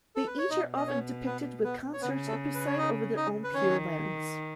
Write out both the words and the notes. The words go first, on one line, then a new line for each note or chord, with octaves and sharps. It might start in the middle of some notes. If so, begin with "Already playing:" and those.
They each are often depicted with consorts, and preside over their own pure lands.
A4
B4
C#5
B2 D#4 D#5
D#5
C#4 C#5
B3 B4
B3 B4
C#5
C#3 B3 B4
A3 A4
B4
C#5
D#4 D#5
D#4 D#5
B4
D#3 C#4 C#5